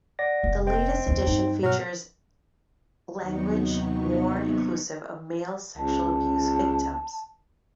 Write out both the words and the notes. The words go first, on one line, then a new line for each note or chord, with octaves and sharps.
The latest edition features language more inclusive of male sexual abuse victims.
D5 F#5 A#6
F1
C4 C5 D#5 G5
E2 D3
G2 D#4
B2 F#3 F6
D#2 C3 F#3 B3 D#4 C#6
C#2 A5